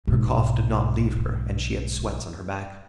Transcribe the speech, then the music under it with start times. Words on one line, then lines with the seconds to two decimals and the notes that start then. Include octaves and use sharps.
Her cough did not leave her, and she had sweats on her back.
0.07 B1 G#2